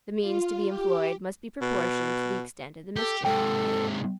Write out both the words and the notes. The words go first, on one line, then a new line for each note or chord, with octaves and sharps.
The means to be employed must be proportioned to the extent of the mischief.
F4
G4
B2
G4 A4
G#2 C3 A4 G5